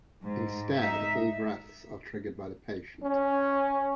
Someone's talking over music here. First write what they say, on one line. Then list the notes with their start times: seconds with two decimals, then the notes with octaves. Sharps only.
Instead, all breaths are triggered by the patient.
0.21 G#2
0.75 D#4 E5
3.03 C#4